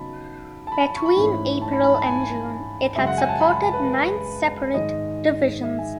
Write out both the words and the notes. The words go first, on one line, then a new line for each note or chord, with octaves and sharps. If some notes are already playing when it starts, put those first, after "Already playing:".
Between April and June it had supported nine separate divisions.
Already playing: C#3 F#3 B3 D#4 A5 B5
A5
B5
B5
C#6
B5
G#2 E3 A3 C#4 E4
A5
B5
B5
A5
G#5
F#2 C#3 G#3 E5
F#5
G#5
A5
B5
B5
A5
B4
B4
G#2 D#3 G#3 D#4 D#5
E5
G#5